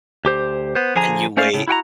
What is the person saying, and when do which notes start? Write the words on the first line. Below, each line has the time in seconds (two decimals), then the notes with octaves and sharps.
And you wait.
0.25 D2 G4 C5
0.75 B3 C5
0.96 D3 F3 G#4 G#5 A#5
1.37 A3 C#4 C5 D5 F5
1.53 A2 C#3
1.68 E4 F#4 G5 A#5